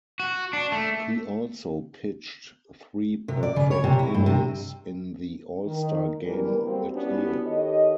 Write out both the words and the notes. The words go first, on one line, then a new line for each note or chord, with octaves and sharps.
He also pitched three perfect innings in the All-Star Game that year.
F#4
D4
A3
C3
D5
C#3
C#5
C3
E4
G2
C3
D#3
D3 E3 G3 B3 A#4
F#3 G3 A#3 C4
G3 B3 C#4 D4 E4 F#4
D#3 G4 A4 C#5 D#5